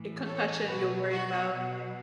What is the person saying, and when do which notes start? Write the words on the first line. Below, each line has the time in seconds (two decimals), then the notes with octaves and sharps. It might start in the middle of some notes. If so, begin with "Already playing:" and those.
A concussion you're worried about, yep.
Already playing: A2 E3
0.25 A4 C#5
0.67 B2 F#3 F#4 B4
1.10 F#4
1.51 B2 F#3